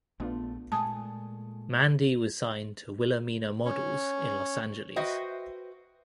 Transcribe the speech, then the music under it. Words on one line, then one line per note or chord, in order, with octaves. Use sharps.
Mandi was signed to Wilhelmina Models in Los Angeles.
A#1 A3 B3 D4 F4
A#2 G#3 A3 G#5 A5 D#6
C#4
F#4 B4 C5 D#5 E5 G5